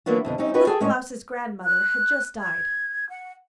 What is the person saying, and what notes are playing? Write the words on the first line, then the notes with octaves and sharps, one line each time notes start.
Little Klaus' grandmother had just died.
E3 F#3 A#3 B3 D4 F4
F2 B2 D3
G3 C4 C#4 D#4
C#4 D#4 F#4 G4 B4
G#4 A4 G5
A2 G#3 C#4 C#5 D#5
F#6
G#6
F#5